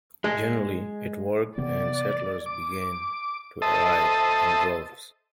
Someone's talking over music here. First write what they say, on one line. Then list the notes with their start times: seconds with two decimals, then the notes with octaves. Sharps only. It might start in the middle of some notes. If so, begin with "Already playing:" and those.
Generally it worked and settlers began to arrive in droves.
0.24 G#3
1.58 C3 E3 B3 D5
2.46 D6
3.62 A4 C5 D#5 E5 A5 D#6